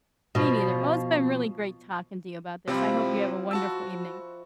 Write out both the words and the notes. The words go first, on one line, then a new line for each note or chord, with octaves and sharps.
me neither, well, it's been really great talking to you about this, I hope you have a wonderful evening.
B2 F3
C3 F3 G3 C4 E4
F#4 A5 E6